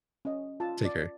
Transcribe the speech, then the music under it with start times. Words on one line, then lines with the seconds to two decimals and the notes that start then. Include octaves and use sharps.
Take care.
0.25 C#4 D#5
0.60 F4 A5
0.85 D5